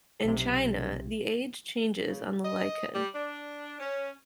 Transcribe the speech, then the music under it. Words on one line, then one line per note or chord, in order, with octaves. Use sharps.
In China, the age changes on the lichun.
B1 C3
C#3
D#5
G3
D4
C#4